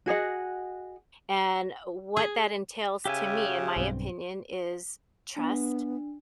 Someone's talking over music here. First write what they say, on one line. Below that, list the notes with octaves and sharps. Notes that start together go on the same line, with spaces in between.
and what that entails to me, in my opinion, is trust,
F#4 G#4 D#5 F#5
G#4
C#3 G4 E5 G#5
B1 G2 C4
B3 D4